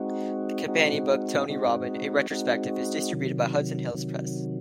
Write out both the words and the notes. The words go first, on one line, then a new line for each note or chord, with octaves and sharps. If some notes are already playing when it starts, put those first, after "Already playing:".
The companion book "Tony Robbin, A Retrospective" is distributed by Hudson Hills Press.
Already playing: G#3 C4 D#4 F#4
G#3 C4 D#4 F#4
G#3 C4 D#4 F#4
G#3 C4 D#4 F#4
C3 D#3 F#3
C3 D#3 F#3